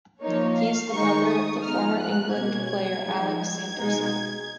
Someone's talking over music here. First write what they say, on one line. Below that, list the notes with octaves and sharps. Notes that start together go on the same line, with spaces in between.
He is the brother of the former England player Alex Sanderson.
F3 A#3 D#4 C#5
F5
D#3 G#3 D#4 C#6
D#6
F3 B3 D#4 F6
F#6
B2 A#3 C#4 G#6
F3 G#3 D#4
G#6
B2 G#3 D#4